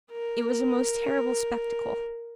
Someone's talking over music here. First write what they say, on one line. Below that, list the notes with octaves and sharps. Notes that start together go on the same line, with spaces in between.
It was a most terrible spectacle.
A#4